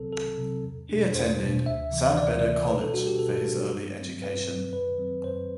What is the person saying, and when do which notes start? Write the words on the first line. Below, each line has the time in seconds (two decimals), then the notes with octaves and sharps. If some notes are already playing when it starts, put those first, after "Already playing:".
He attended San Beda College for his early education.
Already playing: C2 C3 F#3 C4 A4
0.12 C2 A4
0.38 C3 F#3 C4
0.64 E2
0.89 B2 A3 D4
1.15 E2 C5
1.40 B2 A3 D4
1.66 D2 E5
1.91 C3 E3
2.17 D2 D5
2.43 C3 E3
2.68 B2 B4
2.81 A4
2.94 G3 D4 F#4
3.07 G4
3.19 B2 A4
3.45 G3 D4
3.70 G2
3.96 F#3 C4
4.22 G2 B4
4.47 F#3 C4
4.73 F#2 B4
4.98 F#3 C4
5.24 F#2 C5